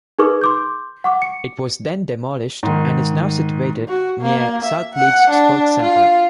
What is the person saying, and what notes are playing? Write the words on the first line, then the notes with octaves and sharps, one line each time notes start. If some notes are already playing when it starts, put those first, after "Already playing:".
It was then demolished and is now situated near South Leeds Sports centre.
D#4 G#4 A#4 B4 C#6 D6
C6 D6 G6
F#5 C#6 D6
C#7
G#2 D#3
F#4
A#3
E5
F#5
D4
F4